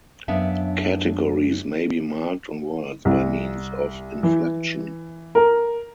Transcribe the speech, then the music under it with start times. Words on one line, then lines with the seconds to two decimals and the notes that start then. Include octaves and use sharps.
Categories may be marked on words by means of inflection.
0.28 F#2 B3 D4 E5 F5
3.05 C2
4.23 E3
5.35 A#4